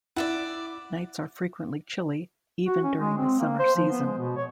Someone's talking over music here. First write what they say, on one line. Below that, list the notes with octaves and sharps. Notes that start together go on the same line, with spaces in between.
Nights are frequently chilly, even during the summer season.
E4 D5 E5 F#5
F#4
C#4
G#3
C4
A#3
C5
F3
B3
G#3
B2
C#5